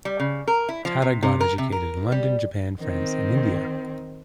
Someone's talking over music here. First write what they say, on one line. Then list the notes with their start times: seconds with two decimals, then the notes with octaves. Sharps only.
Tata got educated in London, Japan, France and India.
0.05 G3
0.20 C#3
0.48 A#4
0.69 E4
0.85 F3
1.02 C3
1.23 C3
1.41 A#4
1.58 C3
1.72 A#4
2.12 G3
2.79 D#3 C4